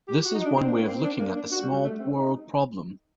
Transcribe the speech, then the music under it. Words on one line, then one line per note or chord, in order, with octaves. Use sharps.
This is one way of looking at the small world problem.
G4
F#4
D#4
D4
C4
D4
A#3
C4
D4
A#3
D4
F#4
G3
G3
A3
C4
D#4